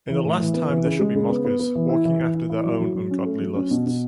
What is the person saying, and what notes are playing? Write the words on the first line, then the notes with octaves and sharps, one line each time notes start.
In the last time there shall be mockers, walking after their own ungodly lusts.
E3
A2
E3
B3
E3
C#3
G#3
C#3
B3
B3
B3
E3
E4
E3
E3
E4
E4
F#3
F#3
F#3
C#4
A3
F#3
C#4
B2
B2